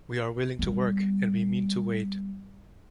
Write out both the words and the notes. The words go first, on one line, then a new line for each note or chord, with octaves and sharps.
We are willing to work, and we mean to wait.
G3 B3